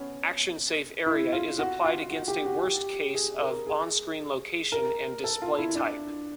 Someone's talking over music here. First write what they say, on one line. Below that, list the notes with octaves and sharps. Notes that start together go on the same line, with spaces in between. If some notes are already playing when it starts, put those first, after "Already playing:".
Action-safe area is applied against a worst case of on-screen location and display type.
Already playing: B3 C#4
E4
F4
F#4
F4
F#4
G4
F#4
G4
G#4
A#4
G#4
A#4
A4
F4
E4
D4